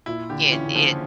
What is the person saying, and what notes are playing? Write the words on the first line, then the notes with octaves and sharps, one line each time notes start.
It it
A#2 E4
D3 G4
E3 C#4
C#3
D3 F3